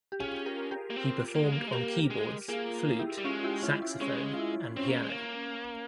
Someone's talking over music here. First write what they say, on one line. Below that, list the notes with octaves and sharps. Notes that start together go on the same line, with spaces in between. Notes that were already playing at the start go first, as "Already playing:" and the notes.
He performed on keyboards, flute, saxophone, and piano.
G4
C#4 F4 G#4
G4 A#4
G4 A#4
A#3
C4
A#3
G#3
A#3
G#3
A#3 G4 A#4
G#3
A#3 F4 G#4
E4 G4
G3
G#3 C#4 F4
E4 G4
C#4 F4
E4
G#3 C#4
F4
E4
C4 C#4
A#3
G#3
A#3